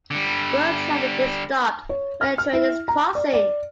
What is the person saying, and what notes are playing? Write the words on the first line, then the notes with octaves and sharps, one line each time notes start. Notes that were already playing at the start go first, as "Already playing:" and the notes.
Road traffic is stopped when a train is crossing.
D3 G3
C#5
F6
F6
E4
A#5
D5
D5